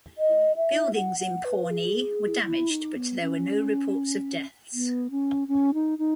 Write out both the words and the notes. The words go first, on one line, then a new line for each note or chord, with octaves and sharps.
Buildings in Pawnee were damaged, but there were no reports of deaths.
D#5
E5
F#5
F#5
B4
G#4
E4
D#4
B3
C#4
B3
C#4
C#4
D#4
D#4